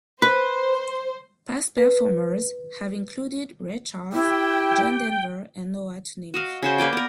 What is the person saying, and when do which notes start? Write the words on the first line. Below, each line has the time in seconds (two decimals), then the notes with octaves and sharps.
Past performers have included Ray Charles, John Denver, and Noa to name a few.
0.22 B4 C5
1.78 B4
4.13 E4 G4 G5
6.34 F#4 D#5 F5
6.62 C#3 F#4 C5
6.78 A#3 B4 D5 G5
6.93 B3 A#4